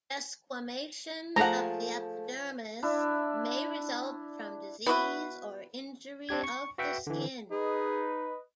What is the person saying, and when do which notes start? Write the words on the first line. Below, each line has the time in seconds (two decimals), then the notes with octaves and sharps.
Desquamation of the epidermis may result from disease or injury of the skin.
1.36 F3 A3 G#4 F5 F#5 A#5
2.83 D4 E4
4.86 B3 E4 F#4 B4
6.29 C4 D4 G4 G#6
6.44 C#6
6.78 F#4 B4 E5 F#5 G5
7.07 D3 E3
7.51 D#4 G#4 B4 D#5